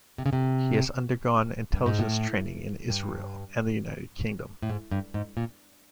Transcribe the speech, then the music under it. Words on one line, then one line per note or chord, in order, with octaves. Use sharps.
He has undergone intelligence training in Israel and the United Kingdom.
C3
C#3
C3
G2
G#2
A2
G2
A2
G#2
G2
G#2
A#2